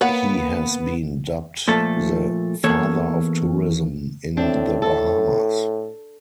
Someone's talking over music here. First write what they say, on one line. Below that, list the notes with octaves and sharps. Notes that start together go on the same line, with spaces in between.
He has been dubbed the "Father of Tourism" in The Bahamas.
A#3 B3 C#5 F#5
A#2 F3 A3 A4
E2 A#3 A4 C#5
A2 C4 D4
A4